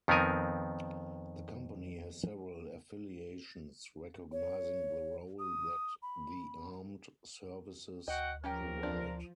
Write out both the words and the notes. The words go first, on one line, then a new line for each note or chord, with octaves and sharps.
The Company has several affiliations recognising the role that the Armed Services provide.
F2 D#3 B3 C4 A#4 G#5
C#5
D#6
B5
D2 F#4 D#5 F#5 G5
F3 C#4 G4 A#4 G5
C4 D4 F4